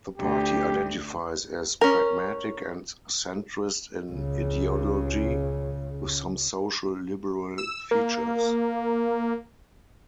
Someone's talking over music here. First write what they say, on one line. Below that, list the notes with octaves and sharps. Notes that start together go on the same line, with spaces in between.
The party identifies as pragmatic and centrist in ideology, with some social liberal features.
D2 G4
C#4 A#4
C#2 C#3
E6
A#3